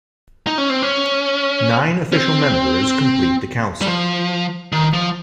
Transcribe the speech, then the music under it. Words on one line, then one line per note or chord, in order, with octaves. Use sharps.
Nine official members complete the council.
D#4
C#4
C4
C#4
C#4
C4
G3
F3
D#3
F3